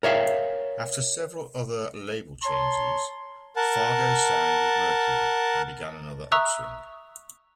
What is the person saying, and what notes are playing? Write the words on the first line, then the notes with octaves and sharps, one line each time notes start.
After several other label changes, Fargo signed with Mercury, and began another upswing.
A#4 C#5 E5 F5
C#5 A5 A#5 C6
A#4 F#5 A5
E5 A#5 C#6 D#6 E6 F#6